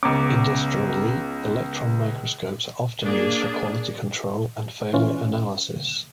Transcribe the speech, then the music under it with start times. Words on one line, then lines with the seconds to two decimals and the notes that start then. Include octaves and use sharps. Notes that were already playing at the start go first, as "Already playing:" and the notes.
Industrially, electron microscopes are often used for quality control and failure analysis.
0.03 C#2 B3 C#4 A#5 D6
3.01 A#3 D4 G#4
4.93 E3 C#4 F4